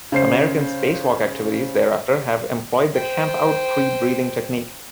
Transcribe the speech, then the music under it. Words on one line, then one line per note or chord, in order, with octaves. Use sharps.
American spacewalk activities thereafter have employed the "camp-out" pre-breathing technique.
C#3 C5 C7
C5 G5